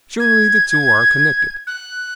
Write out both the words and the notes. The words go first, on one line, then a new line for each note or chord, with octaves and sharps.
Surely the two are connected.
G#6
F#6